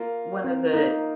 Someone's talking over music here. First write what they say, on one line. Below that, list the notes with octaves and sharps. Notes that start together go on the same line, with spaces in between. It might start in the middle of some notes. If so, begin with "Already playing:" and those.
one of the
Already playing: A#3 F4 A#4
C4
A#3 D#4 F4 A#4